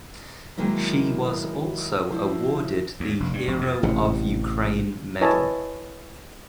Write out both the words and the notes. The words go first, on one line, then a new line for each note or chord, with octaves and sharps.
She was also awarded the Hero of Ukraine medal.
D#3 F#3 G#3 A#3 D#4 E4
F3 E4 F#4
D#2
F1
G2
F1
F2
A1 C3
E4 B4 C#5 D#5 G#5 A5